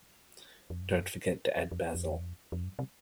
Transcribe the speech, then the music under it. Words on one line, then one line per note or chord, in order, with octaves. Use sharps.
Don't forget to add Basil.
F2
F#2
F2
F2
E2
F2
F2
F#2
C3